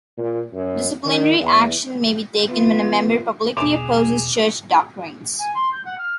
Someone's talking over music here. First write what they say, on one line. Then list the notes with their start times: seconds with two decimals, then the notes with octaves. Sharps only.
Disciplinary action may be taken when a member publicly opposes church doctrines.
0.17 A#2
0.53 F#2
1.05 D#3
1.40 E2
2.46 F3 B3 E4 F4
3.57 B1 E2 B2 G#4 D6 E7 F7
5.39 G#5
5.54 C6
5.72 G6
5.85 F#5
5.98 F6